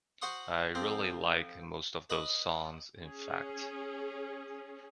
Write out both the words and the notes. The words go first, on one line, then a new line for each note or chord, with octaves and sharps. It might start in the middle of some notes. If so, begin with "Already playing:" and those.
I really like most of those songs, in fact.
F#4 C5 F#5 C6 C#6 D#6
F2 F3 C4
B4 D#5 B5
C#4 G#4